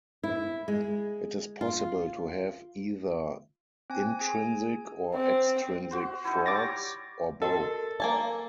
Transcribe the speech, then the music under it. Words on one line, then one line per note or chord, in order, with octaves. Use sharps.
It is possible to have either intrinsic or extrinsic frauds, or both.
E4
G#3
F4
C4 G#5
G#4 G#5
C4
F#4 C5
D#4 E4
G3 C#5 C#6 D6 A6 A#6
F#4 A4 A#4 D#5
A#3 G#5 A5